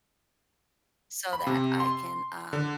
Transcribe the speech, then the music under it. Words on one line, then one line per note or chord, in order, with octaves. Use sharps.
so that I can, um
B5
C3
C6
D3